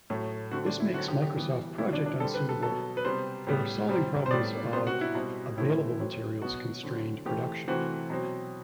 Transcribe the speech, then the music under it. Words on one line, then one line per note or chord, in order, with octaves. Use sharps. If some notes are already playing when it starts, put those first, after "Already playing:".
This makes Microsoft Project unsuitable for solving problems of available materials constrained production.
A2 F#3 A3
D3 A3 C4 F#4
D4
E4
D3 F#3 C4 F#4
G4
G4
E3 G3 B3
B2 G3 C4 E4
D4
D4
D3 G3 C4 A4
B4
A4
B2 F#3 B3 A4
B4
C3 G3 B3 C5
A2 G3 B3
C3 G3 C4
C5
A2 G3 B3 D5
C3 G3 B3 C5
F#4
E4
B2 G3 C4
A2 E3 A3 C4 E4
A2 F#3 C4
B2 F#3 B3 F#4
D3 F#3 C4
E3 A3 C4 G4
C3 E3 A3 C4 F#4
B2 F#3 C4